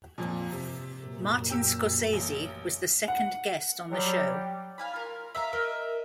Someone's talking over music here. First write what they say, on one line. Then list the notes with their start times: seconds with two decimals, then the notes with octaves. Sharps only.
Martin Scorsese was the second guest on the show.
0.18 F2 A#2
0.52 C3
1.02 F#2 A#2
1.50 G4 E6
2.13 A1
3.08 F#5
3.91 F#3 G3 G4
4.78 F5 G#5 B5
4.94 F4 A#4
5.35 E5 F5 A#5
5.53 A#4 D#5 E5